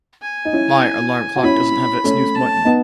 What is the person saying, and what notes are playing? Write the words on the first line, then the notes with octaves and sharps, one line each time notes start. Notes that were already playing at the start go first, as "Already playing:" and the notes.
My alarm clock doesn't have a snooze button.
G#5
D#4
C#4 E4
F#4
C#4 E4 B5
A3 C#4
A5
B3 D#4